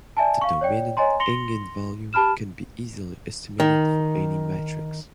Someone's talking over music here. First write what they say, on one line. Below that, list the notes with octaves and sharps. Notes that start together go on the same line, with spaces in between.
The dominant eigenvalue can be easily estimated for any matrix.
D5 E5 G#5 A5
F5 C#6
C#5 D5 G5
C#5 D#5 G#5 A#5 C6
C6 A#6 C#7 F7 G7
G4 A5 B5 F6 E7
D#3